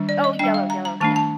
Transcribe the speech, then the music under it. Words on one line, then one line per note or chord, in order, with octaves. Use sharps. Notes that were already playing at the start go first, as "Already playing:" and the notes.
Oh, yellow, yellow, yes.
Already playing: D#3 G3 D4
D5
D#5
G3 D4 G5
F5
A#5
A#5
D#3 A3 D4 A5
A5